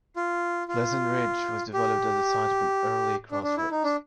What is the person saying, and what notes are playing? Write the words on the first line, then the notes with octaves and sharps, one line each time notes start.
Pleasant Ridge was developed at the site of an early crossroads.
F4
F4
G4
D4
D4
E4
D#4
D4